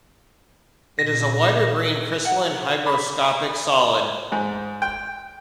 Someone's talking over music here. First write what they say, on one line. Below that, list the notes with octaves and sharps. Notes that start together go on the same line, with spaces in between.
It is a white or green, crystalline, hygroscopic solid.
A#2 A#6
F#5
B5
G#2
G5